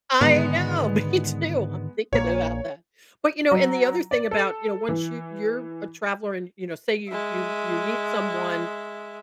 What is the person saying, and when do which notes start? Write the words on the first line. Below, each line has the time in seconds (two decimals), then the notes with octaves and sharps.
I know! Me too, I'm thinking about that. But, you know, and the other thing about, you know once you you're a traveler and, you know, say you you you meet someone,
0.21 G#2 D3 D#3 G#3 B3
2.13 A#1 A#2 A#3 C#5
3.51 F#3
4.11 D5
4.31 A4
4.88 E3
7.09 G#3 E5